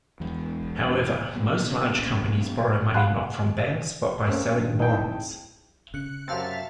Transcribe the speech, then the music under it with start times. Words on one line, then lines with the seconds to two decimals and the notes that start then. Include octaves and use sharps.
However most large companies borrow money not from banks, but by selling bonds.
0.20 E2 E3 G#3 B3
1.34 B2 G3 A#3 B3
2.94 F5 F#5 G#5 B5 C6 F#6
4.27 A3 A#3 C4 C#4
4.60 G2 D#3
4.79 C4 D#4 E4 G#4 G5 A5
5.94 C#3 F#6 C#7
6.28 F#2 C3 C4 E5 F5 A5 A6